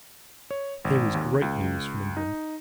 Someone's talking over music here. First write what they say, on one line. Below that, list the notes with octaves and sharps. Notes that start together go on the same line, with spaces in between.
Here is great news from England.
C#5
G#1
D#2
C#2
D#4